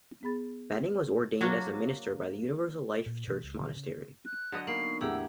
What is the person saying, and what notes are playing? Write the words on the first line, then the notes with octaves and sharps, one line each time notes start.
Bening was ordained as a minister by the Universal Life Church Monastery.
B3 G#4 B5 A6
F#3 A#3 D4 F#4
A#2
B2 E3 A3
C#2
B2 D#3 F#3
C#3
F#6
D3 F#3 D#5
A#3 B3 D#4 C#6 C7
E2 A2 D3 G4 G#4 F#5 A#5 E6